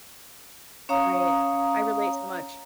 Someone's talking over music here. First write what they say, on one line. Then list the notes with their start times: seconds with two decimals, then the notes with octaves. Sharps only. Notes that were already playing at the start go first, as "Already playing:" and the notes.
Right. I relate so much.
0.89 C#4 C#5 F5 A#5 D#6